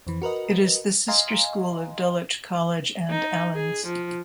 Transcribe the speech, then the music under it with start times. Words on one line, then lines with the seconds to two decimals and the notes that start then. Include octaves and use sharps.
It is the sister school of Dulwich College and Alleyn's.
0.07 F2 E3
0.22 F#4 A#4 B4 D#5
1.08 D#5 F5 G#5 A#5 C6
3.10 D#4
3.55 G#4
3.87 F3